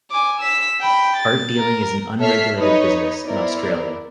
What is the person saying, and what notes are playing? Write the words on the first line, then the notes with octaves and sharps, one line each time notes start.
Art dealing is an unregulated business in Australia.
G#5 D6
E6 B6
G5 B5
A6
A#4
A4 C#5 E5 F6 B6 C7
D#4 B4 C#5 D#5
B3 E4 A#4 C5 D5